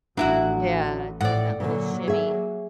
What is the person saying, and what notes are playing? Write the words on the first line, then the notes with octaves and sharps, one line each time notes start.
yeah, doing that little shimmy.
A1 F#3 D4 E4 F#4
A2 D5 F#5
A#2 D3 F#3 A#3
G#4 E5